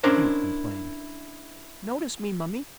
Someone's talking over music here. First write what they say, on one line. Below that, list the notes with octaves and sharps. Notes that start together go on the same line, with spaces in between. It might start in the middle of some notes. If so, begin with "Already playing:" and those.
Hugh complained, "Notice me, mummy!"
C#4 D4 E4 A#4 C5